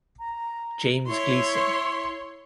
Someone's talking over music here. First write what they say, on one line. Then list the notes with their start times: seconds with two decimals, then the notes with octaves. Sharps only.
James Gleeson.
0.19 A#5
1.07 E4 C#5 C6